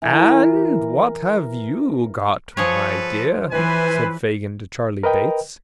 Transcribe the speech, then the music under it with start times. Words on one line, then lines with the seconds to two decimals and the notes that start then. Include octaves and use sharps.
'And what have you got, my dear?' said Fagin to Charley Bates.
0.02 E3 A#4
2.57 F3 G#4 A4 B4 C#5
3.52 E3 E4 B4 C5 G#5
5.03 A#4 B4 D#5 G5